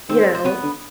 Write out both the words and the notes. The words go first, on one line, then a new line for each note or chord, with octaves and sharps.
you know,
D#3 C4 C5
C5
C3 B3 B4
D3